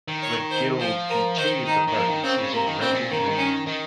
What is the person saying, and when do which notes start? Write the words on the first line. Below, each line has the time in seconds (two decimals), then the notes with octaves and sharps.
The Guild continued the parties using rented venues.
0.08 D#3
0.22 C#5
0.51 C5
0.79 F3 C5
1.09 A#4
1.37 D#3 C5
1.65 D#4
1.88 D#3
1.95 F3 A#3
2.09 D#3
2.23 C#3 C4
2.38 C#3
2.52 C3 A#3
2.67 D#3
2.81 C#3 C4
2.90 G#2
2.95 A#2
3.10 D#3 A#3
3.19 C#3
3.29 D#3
3.38 C#4
3.67 D#3